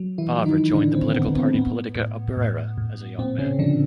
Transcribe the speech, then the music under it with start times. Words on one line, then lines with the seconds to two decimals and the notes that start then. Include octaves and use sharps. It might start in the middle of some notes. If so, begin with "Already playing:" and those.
Favre joined the political party Politica Obrera as a young man.
Already playing: F#3
0.18 E3 E4
0.33 F#3
0.46 D#3 D#4
0.73 A2 D3 D4
0.94 C4
1.14 A2 B3
1.35 C4
1.55 A2 B3
1.96 A2
2.37 A2
2.78 A2
3.19 A#2 C4
3.39 C#3 C#4
3.59 D3 F3 D4